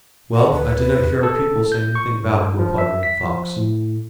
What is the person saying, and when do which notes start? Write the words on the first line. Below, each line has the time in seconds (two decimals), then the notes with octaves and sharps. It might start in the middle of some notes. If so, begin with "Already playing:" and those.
"Well, I did not hear our people say anything about it," replied Running Fox.
0.35 F#5
0.52 D2 B4
1.00 E2
1.23 A4
1.72 G6
1.95 C#6
2.23 G2
2.59 F3
2.78 E5
3.03 B6
3.24 F3
3.56 A2